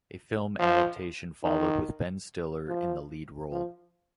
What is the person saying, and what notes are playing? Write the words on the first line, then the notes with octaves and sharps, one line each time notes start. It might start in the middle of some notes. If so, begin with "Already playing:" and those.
A film adaptation followed with Ben Stiller in the lead role.
F3
D#3
F3
F3